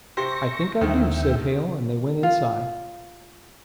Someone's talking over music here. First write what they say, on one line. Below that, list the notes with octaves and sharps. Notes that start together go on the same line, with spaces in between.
"I think I do," said Hale, and they went inside.
C3 G4 C5 C#6 A#6
D#2 D3 D#3 F3 E5 G5
F4